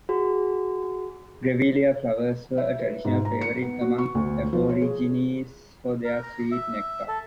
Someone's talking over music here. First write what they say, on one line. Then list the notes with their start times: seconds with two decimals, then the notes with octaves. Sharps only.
Grevillea flowers were a traditional favourite among Aborigines for their sweet nectar.
0.09 F#4 G#4
2.58 E5
2.79 B4
3.05 G#2
3.25 A#5
3.41 C#7
3.62 B3
3.81 F#4
3.98 C#6
4.15 D2
4.53 F3
4.69 C#5
4.82 G#4
6.04 A#4
6.23 A#5
6.51 E5
7.08 A4